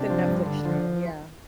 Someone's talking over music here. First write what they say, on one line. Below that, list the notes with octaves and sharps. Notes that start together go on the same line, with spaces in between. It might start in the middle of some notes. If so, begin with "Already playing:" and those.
The Netflix show, yeah.
Already playing: C3 D4
F3
G2
D3
F3